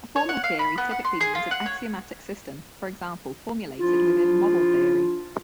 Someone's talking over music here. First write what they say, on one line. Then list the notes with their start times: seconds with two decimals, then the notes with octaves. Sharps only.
A formal theory typically means an axiomatic system, for example formulated within model theory.
0.16 C#5
0.29 F#5
0.44 F5
0.59 B5
0.78 B3
0.91 F#5
1.05 C6
1.21 G#4
1.35 F4
1.51 F#5
1.66 C#5
3.79 F3 D4 E4 F4